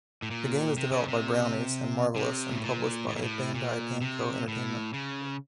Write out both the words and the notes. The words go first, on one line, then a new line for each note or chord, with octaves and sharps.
The game is developed by Brownies and Marvelous and published by Bandai Namco Entertainment.
A2
A#2
C3
C#3
C3
C3
A2
A#2
A2
A#2
A2
A#2
C3
A2
C#3